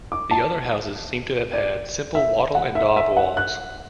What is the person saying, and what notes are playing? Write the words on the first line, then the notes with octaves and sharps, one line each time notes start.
The other houses seem to have had simple wattle and daub walls.
D6
A5
D5
E5
F#5
E5
E5
F#5
F#6